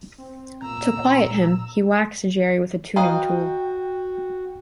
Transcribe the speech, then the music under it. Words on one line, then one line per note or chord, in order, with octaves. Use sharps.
To quiet him, he whacks Jerry with a tuning tool.
C4
A#2 A#5 E6
F#4 B4 D#5 F5 G5 A#5 D#6 D#7